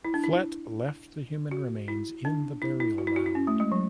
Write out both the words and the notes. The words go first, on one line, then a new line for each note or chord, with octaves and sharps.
Flett left the human remains in the burial mound.
E4
D4
E4
F#4
E4
D4
E4
E4
F#4
E4
F#4
E4
C#4
A3
G#3
F#3